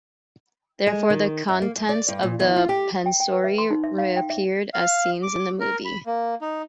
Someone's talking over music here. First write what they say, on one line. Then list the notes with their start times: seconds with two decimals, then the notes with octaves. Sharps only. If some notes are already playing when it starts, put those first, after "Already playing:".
Therefore, the contents of the Pansori reappear as scenes in the movie.
0.87 G#3
1.10 D#3
1.49 F#2
1.62 A#3
1.76 F#2
1.89 D5
2.08 G2
2.23 A#2
2.40 E2
2.56 F4
2.69 G4
3.06 G5
3.20 G5
3.33 B4
3.44 E5
3.58 C6
3.71 D#4
3.84 E5
3.98 F5
4.16 G5
4.30 E5
4.74 F5
5.23 D6
5.60 A#4
5.85 B5
6.06 A#3
6.41 D#4